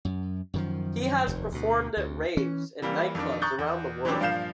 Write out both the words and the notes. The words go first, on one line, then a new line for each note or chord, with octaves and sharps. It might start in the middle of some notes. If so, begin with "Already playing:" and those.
He has performed at raves and nightclubs around the world.
F#2
F#2 D#3 F3
F1 D#2
D2 B2
D2
E3 C#4
E3 G3 A#3
F2 D#3 D4
A#5 C#6 D#6 F#6 G6 A6
E2
E3 F#3 G3 C4 D4
G2 A#2 F3 F5 G6 E7